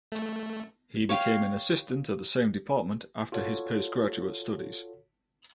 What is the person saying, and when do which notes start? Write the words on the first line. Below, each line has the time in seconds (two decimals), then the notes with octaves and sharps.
He became an assistant at the same department after his postgraduate studies.
0.12 A3
1.09 C#5 F5 G5
3.32 F4 F#4 A4 C#5